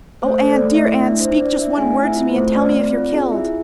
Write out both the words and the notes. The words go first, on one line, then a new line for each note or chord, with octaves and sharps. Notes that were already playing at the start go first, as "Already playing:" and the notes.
"Oh, Anne, dear Anne, speak just one word to me and tell me if you're killed."
A3 C5
A4
D5
A3
E4 E5
A3
D4 E4 E5
D4 C5
D4 D5
D4 E4 E5
A3 G#4 G#5
C4
E4 E5
F4
C5
A3
C4 D5
C4
F4
G#4
E4 G#4 E5